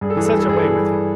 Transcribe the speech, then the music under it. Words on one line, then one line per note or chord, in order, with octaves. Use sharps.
And such a way with him!
G2 G#4
A4
E3 G#4
A4
G2 G#4
A4
G2 G#4
A4
E3 G#4
G2